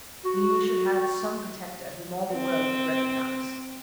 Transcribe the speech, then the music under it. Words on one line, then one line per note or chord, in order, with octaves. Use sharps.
Mimi should have some protector whom all the world would recognise.
F#4
C4